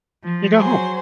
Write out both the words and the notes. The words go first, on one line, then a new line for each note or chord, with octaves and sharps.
you go home.
F3
F#3 G#4 C5